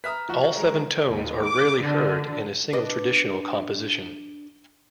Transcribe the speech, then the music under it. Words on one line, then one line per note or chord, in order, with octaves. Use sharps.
All seven tones are rarely heard in a single traditional composition.
B4 E5 A#5 D#6 F6 B6
F3 F#4
F#4
D#3 G#3 A#5
D#2
D6
D3
D4 B4 D#5